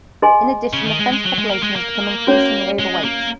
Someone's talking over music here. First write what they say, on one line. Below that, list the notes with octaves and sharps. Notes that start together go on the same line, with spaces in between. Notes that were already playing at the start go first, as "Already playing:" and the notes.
In addition, the French population has become increasingly overweight.
G#4 D#5 G#5 C6
C#3
D#3
G#3
G#3
F#3
G#3
A#3
G#3
A#3
C#4 F#4 C#5
G#3
A#3